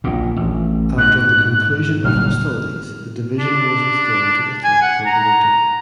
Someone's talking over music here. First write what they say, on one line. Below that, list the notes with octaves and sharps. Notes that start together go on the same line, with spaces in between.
After the conclusion of hostilities the division was withdrawn to Italy for the winter.
A#1 A#2
A1
G#2 F#6
F#1 A#2 G3 F6
D4
G#5
F#5
A#5